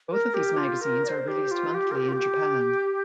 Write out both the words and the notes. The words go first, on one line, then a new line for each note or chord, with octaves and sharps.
Both of these magazines are released monthly in Japan.
A#4
G4
F4
A#4
D5
C5
G4
F4
G4
A#4
G4
F4
G4